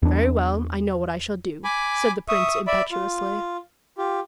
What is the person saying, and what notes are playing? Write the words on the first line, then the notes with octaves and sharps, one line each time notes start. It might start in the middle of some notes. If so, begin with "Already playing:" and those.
"Very well, I know what I shall do," said the prince, impetuously.
E2 D4
G#5 B5 D6
E5 C#6 D#6
D5 E5 B5
F4
F4 G4